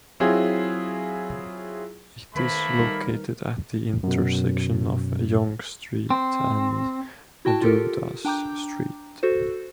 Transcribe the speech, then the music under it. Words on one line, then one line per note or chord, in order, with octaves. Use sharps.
It is located at the intersection of Yonge Street and Dundas Street.
F#3 C4 E4 F4 G#4
D#3 A3 A#3 B4 C5 B5
G3 D#4 A#4
F#2 B2
C4
E4 F#4 G5 A5
F4 G4 A4 A#4
D4 G5 A#5 D6 G6
F#4 A4 C5